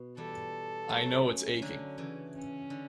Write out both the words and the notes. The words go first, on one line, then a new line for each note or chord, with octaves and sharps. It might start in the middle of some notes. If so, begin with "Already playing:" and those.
I know it's aching.
Already playing: B2
E3 G3 A4
F#3 A3
C#4
D3 F#3
C#3 E3
C#4
D3